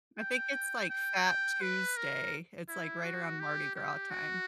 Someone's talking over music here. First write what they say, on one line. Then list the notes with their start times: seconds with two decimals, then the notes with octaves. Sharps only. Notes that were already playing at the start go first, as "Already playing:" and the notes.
I think it's, like, Fat Tuesday. It's, like, right around Mardi Gras time.
0.18 G5
0.90 G5
1.25 G5
1.62 B4
1.97 A#4
2.68 E4
3.04 F#4
3.40 G4
3.75 G4
4.10 F#4